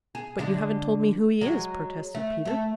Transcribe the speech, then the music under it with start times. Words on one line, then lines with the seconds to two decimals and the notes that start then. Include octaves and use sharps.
"But you haven't told me who he is," protested Peter.
0.15 G#4
0.39 D3 G#3 D4
1.41 F#3 G#3
2.15 A3
2.45 A3 A4